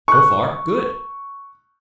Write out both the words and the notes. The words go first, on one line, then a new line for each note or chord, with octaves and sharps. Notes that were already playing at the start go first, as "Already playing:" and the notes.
So far, good!
C#6 F#6